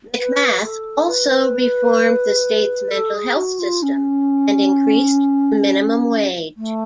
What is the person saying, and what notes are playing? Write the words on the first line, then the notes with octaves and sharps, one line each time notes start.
McMath also reformed the state's mental health system and increased the minimum wage.
B4
A4
B4
A4
G#4
F#4
F4
C#4
A3